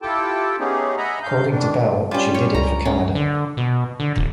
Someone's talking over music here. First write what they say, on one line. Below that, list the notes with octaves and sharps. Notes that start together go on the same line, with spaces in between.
According to Bell, she did it for Canada.
E4 F4 G4 A4 G5 A5
A3 B3 C#4 D#4 G4 G#4
D#5 E5 F#5 G#5 A#5 B5
G2 F5 G6
D#3 E3 D4
G3 C#4 F4 D5 G5
C#5
C#2 A#5
C#4
D3
B2
D3
D#1